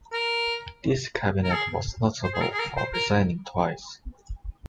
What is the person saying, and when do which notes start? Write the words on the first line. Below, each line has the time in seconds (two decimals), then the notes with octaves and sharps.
This cabinet was notable for resigning twice.
0.13 A#4
1.44 A#4
1.53 G#4
2.24 C5
2.34 G#4
2.41 A#4
2.53 G#4
2.59 A#4
2.77 C5
2.94 A#4